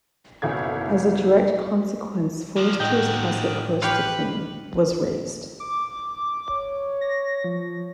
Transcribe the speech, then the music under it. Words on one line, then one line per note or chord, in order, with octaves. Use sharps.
As a direct consequence Forrester's house at Corstorphine was razed.
F#1 B1 E4 A4 F5 G#6
A#2 F3
A2 D#3 D#4 F#4 G5 G6
G4 B4 C#5 F5
D6
C#5
A#6
F3